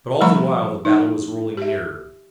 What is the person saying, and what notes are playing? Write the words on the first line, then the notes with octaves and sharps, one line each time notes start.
But all the while the battle was rolling nearer.
F3 G3 A3 A#5 B5 C#6
D#4
G4 E5